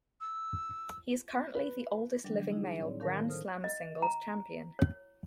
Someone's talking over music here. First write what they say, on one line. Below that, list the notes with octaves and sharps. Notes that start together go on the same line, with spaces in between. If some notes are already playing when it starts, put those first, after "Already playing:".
He is currently the oldest living male Grand Slam singles champion.
E6
B4
D3 E3 F#3 G3 D4
D#4 E4 G#4
A2 C4 C#5 D5
D#3 A#4 F5 A5 A#6
A4 C5 D#6 F6
D#5
A#5
C#5